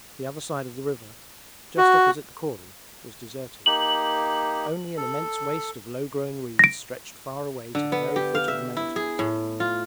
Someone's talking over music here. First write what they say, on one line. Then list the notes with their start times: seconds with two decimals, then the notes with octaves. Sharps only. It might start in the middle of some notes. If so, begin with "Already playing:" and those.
The other side of the river, just opposite the cordon, was deserted; only an immense waste of low-growing reeds stretched far away to the very foot of the mountains.
1.78 F#4
3.66 A#3 D#4 G4 F#7
4.97 A4
6.59 A#6 D7
7.75 D3
7.92 B3
8.16 G4
8.35 F5
8.48 E5
8.77 E4
8.96 G#4
9.19 A2
9.60 F4